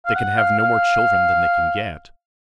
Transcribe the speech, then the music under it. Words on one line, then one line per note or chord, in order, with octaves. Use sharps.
They can have no more children than they can get.
F5
F#5
F5
F5